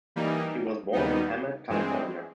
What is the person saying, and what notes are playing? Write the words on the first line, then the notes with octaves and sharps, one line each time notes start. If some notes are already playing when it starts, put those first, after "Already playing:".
She was born in Hemet, California.
E3 G3 A#3 D#4
D#2 D#3 G3 B3 D#4
G2 E3 G#3 C4